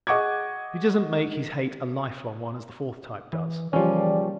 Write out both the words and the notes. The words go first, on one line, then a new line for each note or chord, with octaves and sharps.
But he does not make his hate a life-long one, as the fourth type does.
G#4 D#5 F#5 C#6 D6 G#6
E3
A#2 C#3 E3 F3 G3 C#4 D5